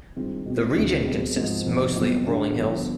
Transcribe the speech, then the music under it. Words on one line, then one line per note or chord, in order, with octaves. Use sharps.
The region consists mostly of rolling hills.
G2 D#3 G#3 C4 F4
B2 G#3 C4
D2 C3 G3 D4 G#4
B1 B2 G#3 C4 G4
G#2 F3 C4
F2 C3 D#3 B3
B1 B2 G3 C4 F4
G1 G2 D3 G#3
G1 G2 F3 B3